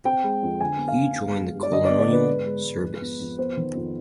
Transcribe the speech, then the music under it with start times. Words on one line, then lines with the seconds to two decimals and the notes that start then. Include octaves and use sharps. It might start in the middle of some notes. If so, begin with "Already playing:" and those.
He joined the Colonial Service.
0.05 C4 G5
0.24 G#3
0.43 F2
0.60 D3 G#5
0.79 B3
0.88 F5
0.97 D3
1.16 B3
1.34 G#3
1.54 G2
1.63 D5
1.71 D3 D#5
1.85 B3 D5
2.00 D5
2.08 D3 B4
2.27 G#2
2.45 G#3
2.64 G#2
2.82 F2
3.02 B3
3.20 F2
3.38 B3 C5
3.57 D#3
3.75 F2